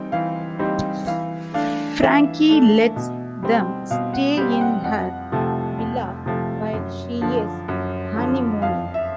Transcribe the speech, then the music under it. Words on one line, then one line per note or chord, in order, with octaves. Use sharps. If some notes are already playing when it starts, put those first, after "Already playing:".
Frankie lets them stay in her villa while she is honeymooning.
Already playing: E3 G3 C4 D#4 G5
E3 F5
G3 C4 D#4
E3 F5
A3 D4 F5
E3 E5
A3 D4
B2
G3 C4
B2 F5
F#5
G3 C4 G5
G5
F#5
F2 F#5
C3 F3 A3
F2
C3 F3 A3
F#2
D3 F3
F#2
D3 F3
F2 F5
E5